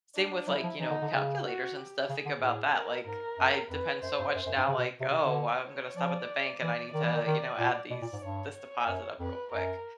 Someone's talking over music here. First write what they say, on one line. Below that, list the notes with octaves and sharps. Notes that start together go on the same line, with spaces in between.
Same with, like, you know, calculators and stuff. Think about that, like, I depend so much now, like, "Oh, I'm gonna stop at the bank, and I need to," you know, "add these this deposit up real quick."
D4
F#3 E4
F3
E3 D#4
D3
D3
C#3
F#4
G4
C#3 G#4
D3
A2
A#4
G#2 A#4
F#2
F2 B4
F#2 C5
G2
F#2
F#2
G2
C#3
B2
C3 C#5
C3
D3
C#5
F3 D5
E3 D5
D#3 D5
E3
D#3
D#3
A#2
B2 D5
A#2
G#2
G2 C#5
C#5
F#2
F2 B4
F#2 A#4